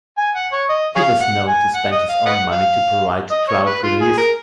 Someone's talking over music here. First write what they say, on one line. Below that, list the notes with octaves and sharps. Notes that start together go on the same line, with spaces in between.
He was known to spend his own money to provide drought relief.
G#5
F#5
C#5
D#5
G#4 C#5 F5
F#5
G#5
F#5
D#5
F5
B4 D#5 F#5
F5
D#5
C#5
B4
F4
G#4
A#4